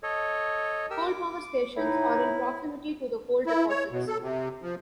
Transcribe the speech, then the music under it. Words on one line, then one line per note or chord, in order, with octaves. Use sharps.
Coal power stations are in proximity to the coal deposits.
A4 C#5 D#5
G4 A#4 E6
D6
A2 D#4 E4
E4
C#5
B2
A4
C3
F3